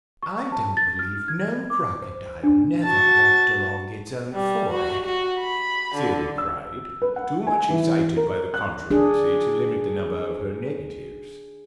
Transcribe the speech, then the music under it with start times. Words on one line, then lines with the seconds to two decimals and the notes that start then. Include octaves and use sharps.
"I don't believe no Crocodile never walked along its own forehead!" Sylvie cried, too much excited by the controversy to limit the number of her negatives.
0.23 C#6
0.52 A5
0.77 A6
0.99 F6
1.28 G#6
1.70 D6
2.02 C5
2.43 D4
2.83 F#4 A5
4.33 G3
4.70 F#4
5.05 F#4
5.39 B5
5.94 D3
6.38 E6
7.02 B4
7.16 F#5
7.47 G#5
7.70 E3
8.17 A#4
8.54 F#6
8.91 D4 G#4